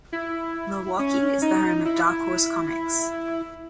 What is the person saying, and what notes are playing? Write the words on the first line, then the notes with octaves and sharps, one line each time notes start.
Milwaukie is the home of Dark Horse Comics.
E4
C#4
D#4
E4